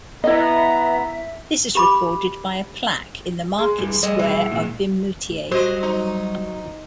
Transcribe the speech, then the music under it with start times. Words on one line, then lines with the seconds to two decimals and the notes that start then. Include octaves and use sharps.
This is recorded by a plaque in the market square of Vimoutiers.
0.24 B3 E4 D#5 E5 A#5
1.75 G4 B5 D6
3.58 G#3
3.78 G2 E3 G3
4.03 G3 G#4 A4 D#5
4.19 B2 E3
4.51 A#2 D#3 G#3
5.27 A2
5.51 F#3 G3 C5 D#5
5.83 D#4